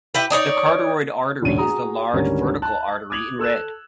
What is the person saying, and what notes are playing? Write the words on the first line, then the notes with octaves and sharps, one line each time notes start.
The carotid artery is the large vertical artery in red.
E4 G4 B4
D4 D#4 C#5 D5
E1 A1 D3 C#4 D#7
F#4 G#4 A#5 D#6
G#1 D2 G3 C#4 A#4
A5 F#6
D6 D#6 G#6 F7 F#7
A4 E6 F#6 E7